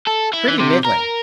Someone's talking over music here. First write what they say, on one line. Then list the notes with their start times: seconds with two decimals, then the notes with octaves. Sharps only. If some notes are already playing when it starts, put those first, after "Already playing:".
"Pretty middling."
0.07 A4
0.34 E4
0.48 E3
0.59 C3
0.85 A#4